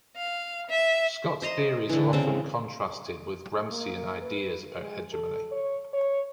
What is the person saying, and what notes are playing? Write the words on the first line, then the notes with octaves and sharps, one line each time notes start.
Scott's theories are often contrasted with Gramscian ideas about hegemony.
F5
E5
C5 D#5 A#5 C6
D3 E3
C#3 C4
A#3
B4
G#3
A4
C#5
C#5